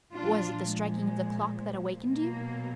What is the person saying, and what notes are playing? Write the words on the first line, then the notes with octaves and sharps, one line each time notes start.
"Was it the striking of the clock that awakened you?"
A#2 F3 D4 F4
G#3
B2 F#3 A#3